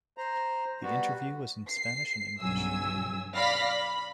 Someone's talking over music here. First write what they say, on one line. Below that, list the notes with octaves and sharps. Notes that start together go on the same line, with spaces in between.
The interview was in Spanish and English.
C5 A#5
G3 B3 F#4
C7
B1 G2 C#3 F#3 G#5 E6
D5 F5 B5 F6 A#6 B6
B5